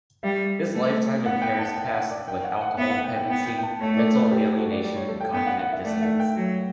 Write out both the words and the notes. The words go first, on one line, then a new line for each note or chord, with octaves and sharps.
His lifetime in Paris passed with alcohol dependency, mental alienation and cognitive dissonance.
G3 E5
A3
B3 F#5
G5
A5
G5
E5
F#5
D5
G5
F#5
F#5
B3 E5
F#5
G5
G5
B3 G5
G5
G5
A5
A3 C#5
D5
B4
G4
A4
F#4
D5
G3 D5
C#5
A4
G5
B3 G5
F#5
F#5
E5
A3 D5
E5
G5
F#3